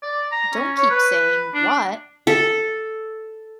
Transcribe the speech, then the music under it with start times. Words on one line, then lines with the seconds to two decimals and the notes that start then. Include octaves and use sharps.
Don't keep saying, 'What?'
0.03 D5
0.32 A#5
0.54 C#4
0.77 C#5
0.90 B4
1.55 D4
2.27 A4